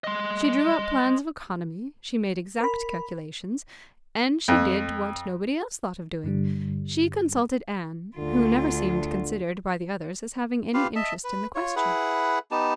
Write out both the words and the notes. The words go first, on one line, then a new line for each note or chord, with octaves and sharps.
She drew up plans of economy, she made exact calculations, and she did what nobody else thought of doing: she consulted Anne, who never seemed considered by the others as having any interest in the question.
D#5 C6
A#4 B5
F2
G2 D3 G3
D2 D3 F4
F4 G4 B4 F5
D#5 E5 A5
B4
F4 C#5
E4 G#4 B4 F#5
B3 D#4 G4 A5